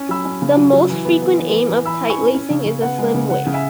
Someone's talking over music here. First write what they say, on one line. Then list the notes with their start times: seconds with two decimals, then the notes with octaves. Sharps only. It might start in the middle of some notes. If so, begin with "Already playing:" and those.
The most frequent aim of tightlacing is a slim waist.
Already playing: C#4
0.09 F#3 B5 E6
0.25 C#4
0.42 C#3
0.57 F#3
0.73 F#3
0.90 E3
1.05 B3
1.22 B3
1.37 E3
1.54 E3
1.69 E3
1.85 E3 B5 E6
2.02 E3
2.10 G#5 C#6
2.18 C#4
2.34 C#4
2.50 C#3
2.66 C#3
2.82 B3 F#5
2.98 G#3
3.14 C#3
3.30 C#3 F#5
3.47 C#3
3.54 E5 G#5